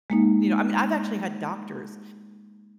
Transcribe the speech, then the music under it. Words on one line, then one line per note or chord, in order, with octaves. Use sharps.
you know, I mean, I've actually had doctors
G#3 A#3 D#4